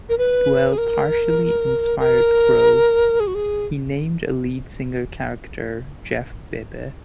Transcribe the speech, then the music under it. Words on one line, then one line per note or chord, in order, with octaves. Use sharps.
Buell partially inspired Crowe; he named a lead singer character Jeff Bebe.
A#4
B4
G#4
A#4
A#4
G#4
F#4
G#4